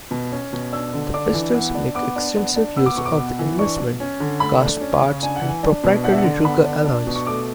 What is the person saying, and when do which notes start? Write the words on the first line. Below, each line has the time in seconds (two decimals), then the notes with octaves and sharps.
The pistols make extensive use of investment-cast parts and proprietary Ruger alloys.
0.11 B2
0.32 C#4
0.53 B2
0.72 D4 E6
0.93 D3
1.14 D4 D6
1.34 E3
1.54 B3
1.75 D4
1.95 B3 D6
2.16 D4
2.37 B3
2.56 D4
2.76 B3 E6
2.86 D6
2.96 B2 C#6
3.06 D6
3.18 B3
3.39 E3
3.59 D4 C#6
3.80 B2
4.00 C#4
4.20 D3
4.40 A3 B5
4.61 D4
4.81 C#4
5.01 C#3
5.23 D4 G#5
5.36 F#5
5.42 E3
5.49 G#5
5.63 D4
5.84 B2
6.04 D4 F#5
6.11 E5
6.18 F#5
6.24 D3
6.45 B3 B5
6.65 D4
6.85 D4
7.07 B2
7.16 C#6
7.27 A3 D6